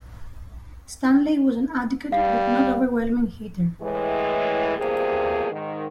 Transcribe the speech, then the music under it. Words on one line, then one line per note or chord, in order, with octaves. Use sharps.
Stanley was an adequate but not overwhelming hitter.
G3 F5
A2 E3 G#3
E2 G2 C3 F3 A#3 G#4
G#2 D#3